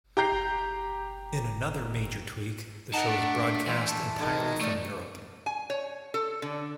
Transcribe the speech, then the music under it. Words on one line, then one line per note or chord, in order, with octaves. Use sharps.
In another major tweak, the show is broadcast entirely from Europe.
G4 A#5 G6 C7
D#4 A#4 F#5 A5
A3 D4
E3 C6
A5
D#3 G#3 D#4
A3 D5
G#5
C#5
A4
D3